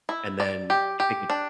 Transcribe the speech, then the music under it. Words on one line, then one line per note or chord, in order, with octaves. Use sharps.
and then if it gets
E4
D5
G4
G4
D4